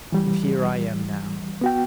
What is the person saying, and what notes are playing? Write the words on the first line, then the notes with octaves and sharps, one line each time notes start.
And here I am now.
E3 G3
B3 F#4 G5